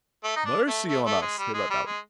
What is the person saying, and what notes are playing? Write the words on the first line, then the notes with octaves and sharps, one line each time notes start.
"Mercy on us!" he let out.
A3
D#4
D4
A3
A3
A3
G#3
G3
G#3
G3
G#3